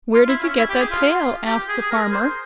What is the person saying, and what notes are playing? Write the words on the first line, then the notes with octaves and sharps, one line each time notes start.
"Where did you get that tail?" asked the farmer.
F4
E4
C#4
E4
G4
G#4
F4
G4
G#4
G#4
A#4
C5